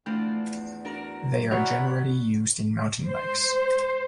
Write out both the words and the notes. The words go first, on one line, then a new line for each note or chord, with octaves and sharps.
They are generally used in mountain bikes.
E2 E3 F3 A3 D4
D4 F#4 A#4
B3 E4 F#4 A#4 C#5 D5 F#5 B5
C5